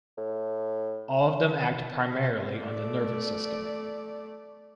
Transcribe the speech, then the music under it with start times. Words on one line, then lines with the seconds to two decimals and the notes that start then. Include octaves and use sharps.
All of them act primarily on the nervous system.
0.18 A2
2.54 A3 D5